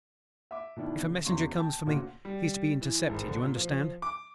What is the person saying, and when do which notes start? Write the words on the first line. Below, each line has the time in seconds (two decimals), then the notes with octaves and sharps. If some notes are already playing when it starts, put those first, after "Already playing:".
If a messenger comes for me, he is to be intercepted, you understand.
0.51 E5 D6
0.76 B2 D#3 D4 E4
1.01 C#3
1.25 E1 E2 C#3 C6 C#6
1.57 G5 A5
1.86 D2 A#2 C#3 F#4
2.25 G3
2.81 E3
3.09 G#1
3.27 D3
3.43 A#2
3.56 F3
4.02 D6